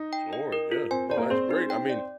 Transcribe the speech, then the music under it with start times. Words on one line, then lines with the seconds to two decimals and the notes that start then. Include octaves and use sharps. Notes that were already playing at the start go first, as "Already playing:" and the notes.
Sure, yeah, no, that's great, I mean,
Already playing: D#4
0.13 G5
0.33 D#5
0.52 A#4
0.72 F4
0.91 C4 C5 G#5
1.10 C5 D5
1.17 A#3 A#4
1.30 C4 G#4 C5
1.51 D#4
1.70 G5
1.89 D5